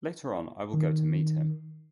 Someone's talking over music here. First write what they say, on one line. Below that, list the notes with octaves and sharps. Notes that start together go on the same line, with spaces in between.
Later on I will go to meet him.
D#3